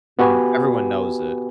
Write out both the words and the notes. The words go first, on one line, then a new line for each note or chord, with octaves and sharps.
Mhm, everyone knows it.
B3 F#4 G4 B4 G#5